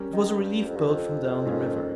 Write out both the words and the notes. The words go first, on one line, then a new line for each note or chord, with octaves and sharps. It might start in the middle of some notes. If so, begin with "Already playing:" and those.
It was a relief-boat from down the river.
Already playing: G3 C#4 G4 A#4
D#3
G2
F2
G2
F2
G#2 F3 A#3 C#4 F4